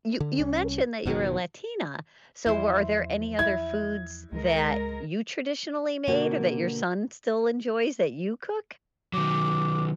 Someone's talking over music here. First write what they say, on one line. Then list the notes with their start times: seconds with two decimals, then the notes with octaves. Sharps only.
You you mentioned that you were a Latina, so were are there any other foods that you traditionally made or that your son still enjoys that you cook?
0.20 D3
0.39 C2 C#4
1.05 F#1 B2 D#3 F#3
2.46 E2 F3 E4 C5
3.39 E4 G#6
4.32 C#2 G#3 A#4
6.07 B2 D3 A#3 F#4 G4 A4
9.13 D#3 F#3 D6